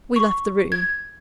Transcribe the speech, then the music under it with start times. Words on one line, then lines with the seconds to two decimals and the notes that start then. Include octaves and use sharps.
We left the room.
0.16 C#6
0.72 G#6